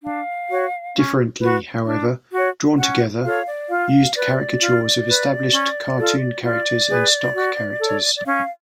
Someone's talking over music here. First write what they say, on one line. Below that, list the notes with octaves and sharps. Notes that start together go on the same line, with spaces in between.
Differently, however, "Drawn Together" used caricatures of established cartoon characters and stock characters.
D4 F5
F#4 C#5
C#4
F#4 B4
D4
F#4 C#5
C#4 F#5
F4 A4 C#5 F5
D5
F4 F5
B4 D5
F4
B4
C#4
F4 A4
F4 D5
G#4 B4
F#4
A4 C#5
D5
C#4 F5